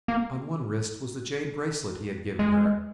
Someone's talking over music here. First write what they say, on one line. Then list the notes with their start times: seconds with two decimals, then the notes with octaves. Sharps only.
On one wrist was the jade bracelet he had given her.
0.08 A#3
2.39 G#3